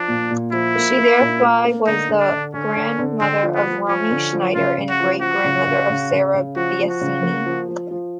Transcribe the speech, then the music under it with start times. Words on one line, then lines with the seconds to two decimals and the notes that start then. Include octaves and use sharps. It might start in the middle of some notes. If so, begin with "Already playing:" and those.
She thereby was the grandmother of Romy Schneider and great grandmother of Sarah Biasini.
Already playing: F3 D4
0.08 A#2
0.31 A#2
0.52 F3 E4
0.75 A#3
0.98 A#3
1.20 A#2
1.42 A#3
1.65 A#3
1.87 D3 D#4
2.09 D3
2.20 D4
2.31 D3
2.54 D3 C#4
2.77 D3
2.99 D3
3.21 D3 C4
3.43 F3
3.55 B3
3.66 F3
3.88 F3 C#4
4.11 D3
4.33 F3
4.55 C#3 F4
4.78 C#3
4.89 F#4
5.00 F3
5.22 F3 F#4
5.44 C#3
5.67 C#3
5.90 C#3
6.12 C#3
6.34 C#3
6.56 F3 F#4
6.79 F3
6.90 F#4
7.01 C#3
7.23 A#3
7.46 F3
7.68 F3
7.91 F3